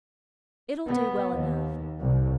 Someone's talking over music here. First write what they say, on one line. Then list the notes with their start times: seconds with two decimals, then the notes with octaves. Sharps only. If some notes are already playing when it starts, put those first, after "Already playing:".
'It'll do well enough.
0.87 B3
1.32 D#2
1.99 C2